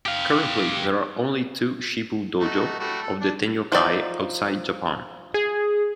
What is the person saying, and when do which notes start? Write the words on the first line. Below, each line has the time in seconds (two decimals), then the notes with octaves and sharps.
Currently there are only two shibu dojo of the Tenyokai outside Japan.
0.06 G4 F5
2.39 A3 D#4 F#4
2.79 G3 A3 F#4
3.02 A4
3.21 D4
3.72 F3 D#4 D5
5.34 G#4